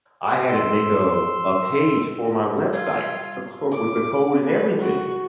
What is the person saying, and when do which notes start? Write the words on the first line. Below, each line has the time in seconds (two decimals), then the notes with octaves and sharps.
I had it make a a page for my website, uh, co with the code and everything,
0.49 C6 E6
2.73 G3 F4 F5 E6 G#6
3.72 D6
4.46 B4
4.79 F#4